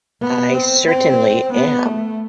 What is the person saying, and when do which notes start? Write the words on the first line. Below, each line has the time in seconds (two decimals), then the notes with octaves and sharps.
I certainly am.
0.21 B3
0.54 C4
0.86 C4
1.52 B3
1.85 A3